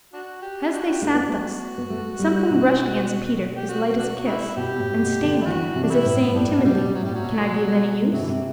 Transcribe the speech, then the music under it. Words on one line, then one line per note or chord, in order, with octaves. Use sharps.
As they sat thus something brushed against Peter as light as a kiss, and stayed there, as if saying timidly, "Can I be of any use?"
D4 F#4
G4
D4 F#4
G4
A3 F#4
B3
A3
B3
A3
G3
B2
G4
F#4
D4 F#4
G3 E4
B2 G4
A2
B2
D3
E4
E3 F#4
C3
D4
G3 E4
A2
A2 G3 D4
B2
E3 G3
B2
F#3
A2 G3
F#3
B2
C3 F#3
D3 E3
C3